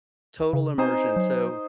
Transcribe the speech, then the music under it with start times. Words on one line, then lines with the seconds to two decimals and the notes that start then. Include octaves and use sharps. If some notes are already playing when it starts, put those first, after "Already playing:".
Total immersion so,
0.53 C#3
0.78 C4 D#4 C5 G#5
1.17 F#3